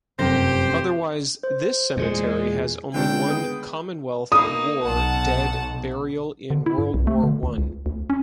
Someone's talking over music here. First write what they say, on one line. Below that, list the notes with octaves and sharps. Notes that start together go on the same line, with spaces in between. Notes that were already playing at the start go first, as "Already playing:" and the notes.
Otherwise, this cemetery has only one Commonwealth War Dead burial in World War One.
F1 F#2 G4 C5 A#6
C5
E2 A#2 G#3
C#2 G#2 D3 C4 D4 F4 G5
G#3 B3 D#6
A#3 D#4 D#6
B1 F#5 A5
D3
E4
G2
B1
A3
D3
D2
C#2
D2
C#4